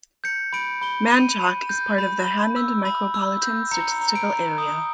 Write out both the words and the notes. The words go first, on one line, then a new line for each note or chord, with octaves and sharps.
Manchac is part of the Hammond Micropolitan Statistical Area.
G6 C#7
B5 D7
B5 G7
B5 D#7
B5
G6
B5
B5
E6
B5
E6
G6
A#5 C#7
A#5
D7
A#5
D#6